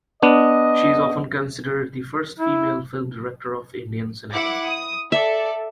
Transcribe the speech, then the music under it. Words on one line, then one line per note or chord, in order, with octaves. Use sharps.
She is often considered the first female film director of Indian cinema.
B3 D4 D#5
E4
E4 F#5 D6
D#6
A4 D5 E5